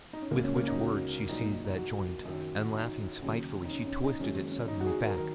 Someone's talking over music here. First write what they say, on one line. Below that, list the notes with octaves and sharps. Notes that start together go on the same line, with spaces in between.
With which words she seized that joint, and laughing spitefully, she twisted it suddenly back.
D#4
C#4
C#2 C#3 F#3 A#3
C#4
A#3
C#4
D#4
F#4
A#1 A#2 F#3 D#4
A#3
D#4
D#4
F#4
F#2 D#3 F#3
F#4
D#4
D#2 C#3 F#3
D#4
C#4
C#4
D#4
F#1 F#2 D#3 G#3 C#4
C#4
D#4
F#4
G#4
F#4
A#4
D#3 F#3 A#4